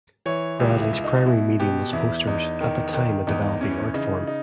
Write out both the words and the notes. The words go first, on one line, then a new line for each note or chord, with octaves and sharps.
Bradley's primary medium was posters, at the time a developing art form.
E3 C#5
C#2 G4
E4
C#2
D#4
B2 E4
B2 G4
E2 E4
E2 D#4
D#3
D#3
E2 D#4
E3 C#4
C#3 D#4
D#4